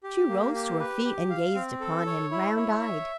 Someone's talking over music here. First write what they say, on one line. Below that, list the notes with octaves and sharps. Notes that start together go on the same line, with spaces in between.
She rose to her feet and gazed upon him, round-eyed.
G4
A#3
G4
B4
G4
F5
C4
A4
C#5
E4
C#5
E5